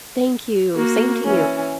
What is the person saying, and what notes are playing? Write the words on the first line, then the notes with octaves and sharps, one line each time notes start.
Thank you, same to you.
A#3 F#4
E3 C#4